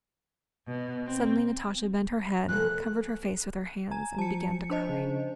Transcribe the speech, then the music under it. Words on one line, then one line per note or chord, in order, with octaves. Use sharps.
Suddenly Natasha bent her head, covered her face with her hands, and began to cry.
B2
C4
F1 A3 A#3 F#6
G#5 A#5
F3 A5 C#7
D4 C5 D#5
C#3